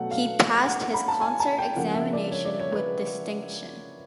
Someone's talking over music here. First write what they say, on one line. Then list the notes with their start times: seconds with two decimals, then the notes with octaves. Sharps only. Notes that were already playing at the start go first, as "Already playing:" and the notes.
He passed his concert examination with distinction.
Already playing: B2 F#3 A3 F#5
0.11 F5
0.66 F#5
0.80 F#5
0.94 B5
1.08 A5
1.21 G#5
1.40 A5
1.58 G5
1.76 C#3 F3 A#3 F#5
1.94 E5
2.13 D5
2.31 C#5
2.45 D5
2.60 C#5
2.73 B4